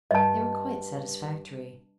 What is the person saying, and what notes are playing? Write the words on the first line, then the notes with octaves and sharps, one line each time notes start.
They were quite satisfactory.
G2 D#5 A5